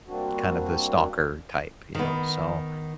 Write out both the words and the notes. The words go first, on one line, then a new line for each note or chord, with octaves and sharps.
kind of the stalker type, you know? So,
G3 A#3 C4 D4 F#4
D#3 B3